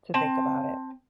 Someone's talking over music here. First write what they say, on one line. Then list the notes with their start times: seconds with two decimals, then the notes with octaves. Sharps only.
to think about it.
0.14 C4 A5